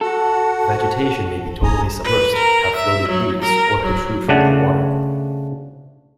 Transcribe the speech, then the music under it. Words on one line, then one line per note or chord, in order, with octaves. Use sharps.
Vegetation may be totally submersed, have floating leaves, or protrude from the water.
F#4 A4 F#5
G#5 A#5 D#6
B4
A#4
E5
F#3
A#4
F#3
C#3 A3 D4 F#5 A5